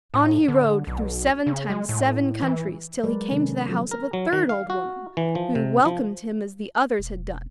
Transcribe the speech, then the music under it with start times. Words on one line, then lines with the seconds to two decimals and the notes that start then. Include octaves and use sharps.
On he rode, through seven times seven countries, till he came to the house of a third old woman, who welcomed him as the others had done.
0.14 A2
0.48 D3
0.87 B1
1.47 C#3
1.70 G#3
1.89 A2
2.42 E3
3.04 F#3 G#3 A#4 B4 D5
3.31 C3 D#3 C#4 A4
3.68 F3 F#3 A4
3.91 A#4
4.13 F#3
4.33 D#3
4.49 F5
4.70 F#4
5.17 E3
5.35 F3
5.55 C3
5.85 F3
6.99 E1